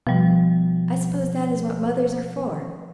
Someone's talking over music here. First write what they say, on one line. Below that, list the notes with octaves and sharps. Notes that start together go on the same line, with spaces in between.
"I suppose that is what mothers are for!"
B2 F3 G3